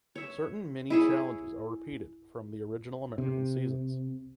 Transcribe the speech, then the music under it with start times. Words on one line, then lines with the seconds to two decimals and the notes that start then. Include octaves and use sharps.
Certain mini challenges are repeated from the original American seasons.
0.15 C#5 E5
0.90 E4 G#4 C#5
3.18 C3